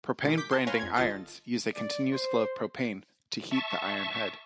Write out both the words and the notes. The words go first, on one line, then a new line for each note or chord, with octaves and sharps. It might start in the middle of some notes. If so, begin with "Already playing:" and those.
Propane Branding Irons use a continuous flow of propane to heat the iron head.
B2 D#3 G#3 A#3
D6 G6 B6
A5 C6
B4 C#5 F5 G#5 A#5 C6
F2 G#6
G1 F4 A4 D#5 A6
D5
C5
E5 A5 C#6